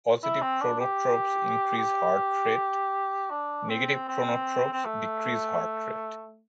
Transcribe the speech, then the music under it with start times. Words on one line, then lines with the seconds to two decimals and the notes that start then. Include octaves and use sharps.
Positive chronotropes increase heart rate; negative chronotropes decrease heart rate.
0.23 E4
0.42 C4
0.62 D4
0.80 G4
1.77 G4
3.30 D4
3.70 C4
4.08 C4
4.73 C4
4.85 A3